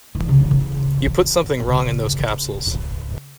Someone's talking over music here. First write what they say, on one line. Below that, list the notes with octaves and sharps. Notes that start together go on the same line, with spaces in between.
You put something wrong in those capsules.
E3
C#3
E3
C#3